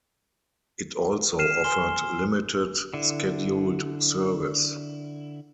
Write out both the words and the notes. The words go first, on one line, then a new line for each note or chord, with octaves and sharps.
It also offered limited scheduled service.
F6 C7 D#7 E7
G#5 C6 C7 G7
D3 E4